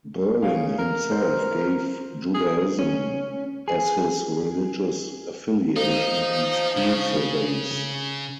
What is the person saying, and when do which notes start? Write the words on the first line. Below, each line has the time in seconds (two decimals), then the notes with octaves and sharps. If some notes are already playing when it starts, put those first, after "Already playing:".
Berling himself gave Judaism as his religious affiliation in school surveys.
0.42 C#3 F5
0.78 A#4
1.11 C5
2.34 G#4
2.79 C#4
3.68 G#4
5.76 F3 D#4
6.77 C#3